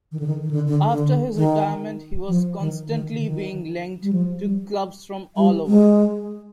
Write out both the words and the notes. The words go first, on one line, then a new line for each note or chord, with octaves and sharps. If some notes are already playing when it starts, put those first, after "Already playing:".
After his retirement he was constantly being linked to clubs from all over.
D#3
D3
D#3
D#3
D3
D3
D3
D#3
F3
D#3
D#3
D3
D#3
G3
F3
G3
G3
G#3